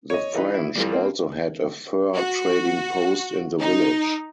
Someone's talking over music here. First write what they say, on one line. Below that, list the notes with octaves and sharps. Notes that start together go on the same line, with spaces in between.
The French also had a fur trading post in the village.
C#5 D#5
E3 D#4 B4
E4
F2 E3 G3
A#3 C4
F#4
D#4